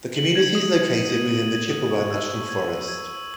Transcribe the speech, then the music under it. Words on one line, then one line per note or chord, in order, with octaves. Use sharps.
The community is located within the Chippewa National Forest.
F#7
G#6
D#6
G#6
D#7
G#6
F#7
G#6
D#6
C#6
E6
C#6
G#6
D#7
G#6
F#7